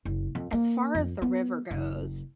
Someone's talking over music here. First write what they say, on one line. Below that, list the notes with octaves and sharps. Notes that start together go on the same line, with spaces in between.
As far as the river goes,
F#1
F2
A#3
F2
B3
F#1